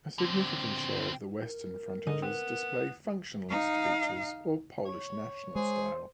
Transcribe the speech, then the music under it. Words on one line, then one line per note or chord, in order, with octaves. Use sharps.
A significant share of the western frontages display functionalist features or Polish National style.
D3 C4
A#4
D3 G#3 D#4 D#7
B3 C4
D#4 F5
C#5
G#3 G#4 C5